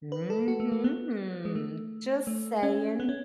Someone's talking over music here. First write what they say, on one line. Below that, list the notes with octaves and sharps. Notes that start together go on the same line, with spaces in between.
Mhm. Just saying.
B4
A4
F#4
A3
A3
B3
G#3
A3
A3
C#4
B3
C#4